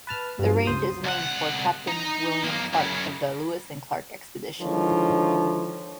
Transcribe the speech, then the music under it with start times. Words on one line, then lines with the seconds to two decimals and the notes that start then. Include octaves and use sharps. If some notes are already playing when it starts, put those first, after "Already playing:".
The range is named for Captain William Clark of the Lewis and Clark Expedition.
0.07 B4 A5 F6
0.39 G2 B2 F3
0.65 C#2 C5 D#6
1.04 C2 F#5
1.88 D#4 A#5
2.43 B1 A#3
2.73 F#2 C#3
4.60 D3 D#3 F3 G#3 E4 C#5